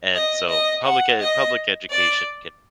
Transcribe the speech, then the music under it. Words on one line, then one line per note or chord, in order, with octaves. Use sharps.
and so public ed public education can
D#5
D#5
F#5
D#5
D5